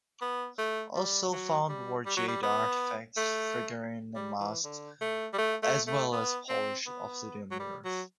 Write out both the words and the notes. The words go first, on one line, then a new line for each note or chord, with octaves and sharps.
Also found were jade artifacts, figurines and masks, as well as polished obsidian mirrors.
B3
A3
G3
F#3
G3
G3
F#3
G3
B3
A3
G3
E3
D3
A3
G3
A3
A3
A3
B3
C4
B3
F#3
G3
F#3